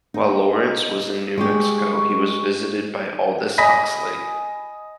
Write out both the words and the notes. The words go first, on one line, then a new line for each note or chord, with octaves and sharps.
While Lawrence was in New Mexico, he was visited by Aldous Huxley.
D#4
G#3 G4 C#6
D#5 G#5 B5 A#6 B6